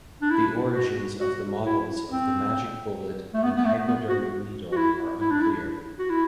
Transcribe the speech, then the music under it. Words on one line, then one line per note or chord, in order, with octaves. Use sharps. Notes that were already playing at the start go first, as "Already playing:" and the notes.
The origins of the models of the "Magic Bullet" and "Hypodermic Needle" are unclear.
D4
E4
F#4
F#4
E4
C4
A3
B3
B3
A3
B3
F#4
F#4
E4
E4
D4
E4
F#4
E4